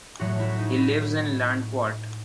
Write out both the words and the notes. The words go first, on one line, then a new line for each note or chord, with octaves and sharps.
He lives in Landquart.
A2 F#3 A3 F#4
E4
D#4
E4